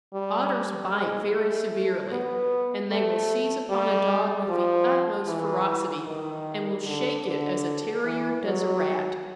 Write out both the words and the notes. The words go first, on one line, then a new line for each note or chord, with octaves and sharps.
Otters bite very severely, and they will seize upon a dog with the utmost ferocity, and will shake it as a terrier does a rat.
G3
G#3
A3
B3
A3
G3
F3
E3
D#3
D3
D3
E3
F#3